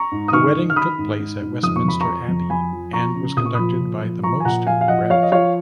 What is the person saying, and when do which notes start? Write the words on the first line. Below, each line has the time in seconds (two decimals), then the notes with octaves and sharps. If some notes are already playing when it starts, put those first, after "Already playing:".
The wedding took place at Westminster Abbey and was conducted by The Most Rev.
Already playing: A#5 C#6
0.11 G#2
0.28 D#6
0.33 D#3 C#6 F6
0.55 D#3
0.70 F6
0.76 D#3 B5 D#6
0.98 G#2
1.20 G#2
1.41 G#2
1.63 F2 D#6
1.76 C#6
1.85 F2 B5
2.01 A#5 C#6
2.07 F3
2.28 F2
2.50 F2 G#5 B5
2.72 F3
2.93 F3 A#5 C#6
3.15 C#3
3.37 A#2 D#6
3.46 C#6
3.55 F3 B5 D#6
3.80 A#2
4.02 F3
4.23 F3 A#5 C#6
4.40 G#5
4.45 A#2 F#5 A#5
4.67 F3 F5 G#5
4.81 F5
4.88 F3 D#5 F#5
5.10 F3 C#5 F5
5.23 D#5
5.32 F3 C#5 F5